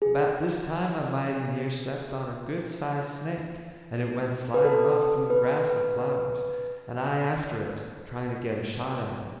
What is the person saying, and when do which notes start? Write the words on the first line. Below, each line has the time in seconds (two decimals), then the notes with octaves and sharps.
About this time I mighty near stepped on a good-sized snake, and it went sliding off through the grass and flowers, and I after it, trying to get a shot at it.
0.02 G#4
4.54 B4
4.64 A4
5.30 B4